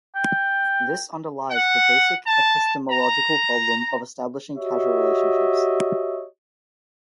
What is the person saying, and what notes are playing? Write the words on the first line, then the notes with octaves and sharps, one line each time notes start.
This underlies the basic epistemological problem of establishing causal relationships.
G5
F#5
A5
A#5
F#4 G4 C#5 D#5 E5